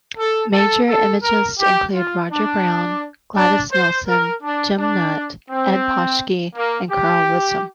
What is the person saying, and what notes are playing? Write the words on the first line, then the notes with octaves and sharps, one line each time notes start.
Major imagists include Roger Brown, Gladys Nilsson, Jim Nutt, Ed Paschke, and Karl Wirsum.
A4
A4
A4
A#4
G4
F4
D4
D4
C5
A#4
D4
D4
C4
A#3
G4